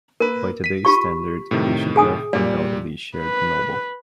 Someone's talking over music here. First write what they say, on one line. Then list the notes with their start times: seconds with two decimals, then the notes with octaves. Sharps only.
By today's standard, they should have undoubtedly shared the Nobel.
0.20 A#3 A#4 B4
0.64 B6 D#7
0.85 F4 G4 C#6
1.51 A2 C3 D#3
1.96 G#4 G#5 D#6
2.33 A#2 G3 D5
3.17 B4